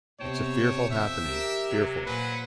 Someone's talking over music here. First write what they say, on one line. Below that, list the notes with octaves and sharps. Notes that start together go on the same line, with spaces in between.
"It's a fearful happening, fearful."
C3 B3 C5 C#5 G5 A5
F2 E5
G4 A#4
C3 F#3
A#2 F#3 B4 C5 F#5 G#5